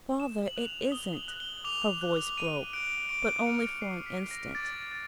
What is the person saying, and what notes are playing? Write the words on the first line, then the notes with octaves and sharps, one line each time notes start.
'Father, it isn't.' Her voice broke, but only for an instant.
D#6 E7
F#7
F#6 F7
D#6 G7
F#7
F#6
G7
D6 F7
F#6
D6 D#7
F#6 D7
C#6 D7
F6 C#7
C#6 C7
B6
F6
A#6
D6 A6
F#6